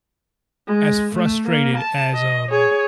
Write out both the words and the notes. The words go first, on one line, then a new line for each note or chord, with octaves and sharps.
as frustrated as, um
G#3
A3
A#3
A5
D#5
G#4 C#5